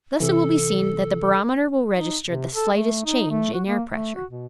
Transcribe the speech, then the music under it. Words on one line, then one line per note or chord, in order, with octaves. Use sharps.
Thus it will be seen that the barometer will register the slightest change in air pressure.
C3 E3 A4
D#4
C3
A4
A3
D#4
A3
F#4
A#3
A3
F#4
B2